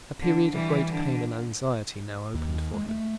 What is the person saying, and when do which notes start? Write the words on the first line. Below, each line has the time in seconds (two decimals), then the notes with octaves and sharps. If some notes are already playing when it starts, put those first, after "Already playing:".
A period of great pain and anxiety now opened for him.
0.20 D3
0.53 E3 G3
0.90 D3
2.34 D#2
2.74 G#3
2.89 A3